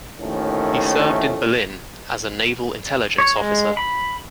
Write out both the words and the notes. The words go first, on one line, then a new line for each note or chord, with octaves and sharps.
He served in Berlin as a naval intelligence officer.
D#2 A2 D#3 F3 A3 C#4
C#5
G#3
B5